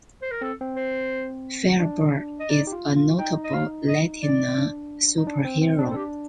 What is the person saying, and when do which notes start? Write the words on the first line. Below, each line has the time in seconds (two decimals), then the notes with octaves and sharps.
Firebird is a notable Latina superhero.
0.22 C5
0.31 A#4
0.41 C4 A4
0.61 C4
0.76 C5
1.80 D4
2.40 D#5
2.50 D#4 D5
2.67 G4
2.72 F4
2.96 F4
3.18 D#4 G5
3.44 D#5
3.54 F5
3.88 D#5
4.23 D5
4.58 D4
5.18 D#4
5.27 D4
5.45 C4
5.61 C4
5.79 D4
5.86 C4
5.90 A4
5.94 D4 G4